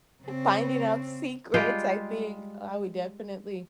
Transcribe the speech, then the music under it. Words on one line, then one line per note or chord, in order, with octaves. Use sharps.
finding out secrets, I think I would definitely,
C#3 C4
G3 G#3 F4 G5